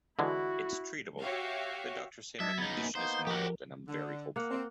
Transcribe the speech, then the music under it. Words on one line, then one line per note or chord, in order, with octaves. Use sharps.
It's treatable - the doctors say my condition is mild and I'm very hopeful.
D3 E3 G#3 E4 F#4
F#4 G4 C#5 E5 F5
F#3 D4 D#5 E5 G#6 A6
C#3 B3 D#4
F#2 E3 A#3
A#3 B3 D#4 C5 G6
F3 F#4 G4 A#4
D3
A#3 F#5
C4